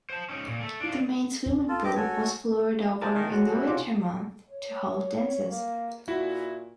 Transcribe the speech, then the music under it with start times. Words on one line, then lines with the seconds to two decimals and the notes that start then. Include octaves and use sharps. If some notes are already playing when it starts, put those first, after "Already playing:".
The main swimming pool was floored over in the winter months to hold dances.
0.10 C5 A5
0.29 C#4 D#4
0.48 A#2
0.61 A3
0.80 D4 F4
1.68 F4 A4
1.84 C4 G4 D#5 D6
1.95 F#4 A4 C#5 G#5
3.01 C3 E4 A#4 D5 G#5 A5
3.14 D#3
3.31 G#3 F#4 C#5
3.52 G3 E4
3.67 C3 F4 C#5 D6
4.50 C#5
5.49 A#3
6.08 A#2 E4 F#4